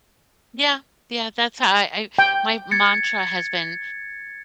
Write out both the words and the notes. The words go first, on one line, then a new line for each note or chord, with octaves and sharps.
Yeah, yeah, that's how I I my mantra has been,
G5
G#6 A6 C#7